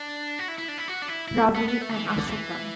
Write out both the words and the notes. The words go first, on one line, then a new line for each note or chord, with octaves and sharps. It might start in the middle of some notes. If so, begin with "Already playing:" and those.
Ravi and Ashokan.
Already playing: D4
F#4
E4
E4
D4
E4
F#4
D4
E4
E4
B3
B3
A3
D3
E3
E3
D3
E3